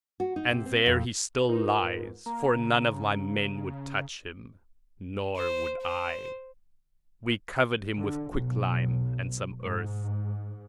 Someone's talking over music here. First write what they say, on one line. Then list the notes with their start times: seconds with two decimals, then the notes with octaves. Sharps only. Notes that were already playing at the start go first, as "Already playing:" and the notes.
And there he still lies for none of my men would touch him, nor would I. We covered him with quicklime and some earth.
0.20 F#4
0.36 D#4
0.51 C3
0.66 C4
0.86 F2
1.49 D#4 F4 A#4 B4
1.84 G#2
2.26 A#3 A#5
2.54 C#3
5.36 C5
5.83 C5
7.97 D3
8.31 B1
9.62 G#2